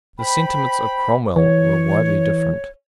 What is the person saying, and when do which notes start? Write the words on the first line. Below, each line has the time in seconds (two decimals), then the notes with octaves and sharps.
The sentiments of Cromwell were widely different.
0.19 C5 G5 B5
1.36 E3 C#5